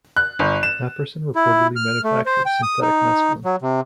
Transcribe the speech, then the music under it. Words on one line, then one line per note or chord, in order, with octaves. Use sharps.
Apperson reportedly manufactured synthetic mescaline.
F#6
G1
E7
E4
F6
A3
C5
G5
D#6
D#4
F#3
C3